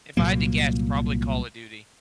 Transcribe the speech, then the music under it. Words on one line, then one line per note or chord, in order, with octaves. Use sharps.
If I had to guess, probably Call of Duty.
C2 A#2 F#3 A#3